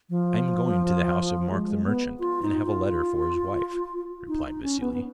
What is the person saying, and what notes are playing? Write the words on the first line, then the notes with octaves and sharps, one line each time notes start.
'I am going to the house of Mark the Merchant, and have a letter for his wife,' replied Vassili.
F3
G#3
G#3
B3
F4
D#4
F4
D#4
D#4
C#4
B3
B3